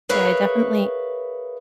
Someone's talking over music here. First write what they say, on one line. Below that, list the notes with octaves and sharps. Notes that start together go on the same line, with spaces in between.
Yeah, I definitely
G#4 A#4 B4 C#5 E5 F5